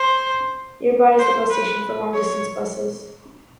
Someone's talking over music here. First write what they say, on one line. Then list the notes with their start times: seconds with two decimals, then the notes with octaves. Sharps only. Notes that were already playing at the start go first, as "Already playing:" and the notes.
Nearby is the bus station for long-distance buses.
Already playing: C5
1.19 C5
1.50 B4
2.14 C#5